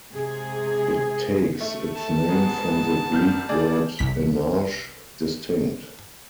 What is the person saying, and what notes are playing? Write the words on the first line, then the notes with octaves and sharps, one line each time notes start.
It takes its name from the Greek word enarge, distinct.
C3 G#3 G#4
A3
A5
G#2 G#3 B3
C2 F6 G6
D4 G#4 D5
C2 B6